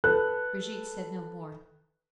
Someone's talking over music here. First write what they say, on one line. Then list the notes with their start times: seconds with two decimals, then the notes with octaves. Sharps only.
Brigitte said no more.
0.04 A4 B4 F#6